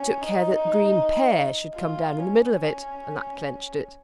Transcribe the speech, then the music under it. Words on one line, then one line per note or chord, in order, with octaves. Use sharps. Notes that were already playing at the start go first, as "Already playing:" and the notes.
I took care that Green pere should come down in the middle of it, and that clenched it.
Already playing: C#4
D#4
F4
C#4